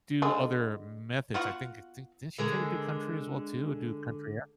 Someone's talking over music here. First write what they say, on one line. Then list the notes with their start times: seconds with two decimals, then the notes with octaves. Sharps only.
do other m methods, I think I think, didn't she try to do country as well too, or do country act?
0.22 D3 G#3
1.34 B3 F4 F#4 F#5
2.38 D3 G#3 A#4